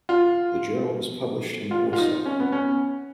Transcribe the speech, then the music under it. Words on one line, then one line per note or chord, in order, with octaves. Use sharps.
The journal was published in Warsaw.
F4
F4
F4
D#4
C#4
B3
C#4